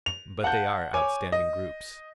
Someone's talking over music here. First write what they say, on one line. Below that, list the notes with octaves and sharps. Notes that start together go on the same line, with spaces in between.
But they are outstanding groups.
F7
F5 F#5 A5 G6
C#5 G#5 D6
D#5